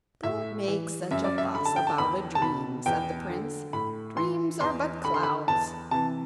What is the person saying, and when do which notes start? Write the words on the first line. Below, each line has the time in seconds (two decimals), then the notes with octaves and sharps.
'Don't make such a fuss about a dream,' said the prince; 'dreams are but clouds.
0.23 A2 E5
0.67 E3
1.11 F#2 E5
1.24 D5
1.38 E5
1.55 D3 B5
1.65 A5
1.76 G5
1.87 A5
1.98 E2 B5
2.35 A5
2.42 B2 B5
2.86 E2 G5
3.30 D3
3.73 A2 B5
4.17 E3 C6
4.61 E2 C6
5.05 D3 B5
5.14 C6
5.23 B5
5.48 E2 A5
5.91 C3 E3 A5